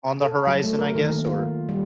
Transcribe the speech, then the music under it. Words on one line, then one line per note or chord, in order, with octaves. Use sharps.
on the horizon, I guess? Or
A4
F#3
A3
A#4
D#3
A#3
F4
G3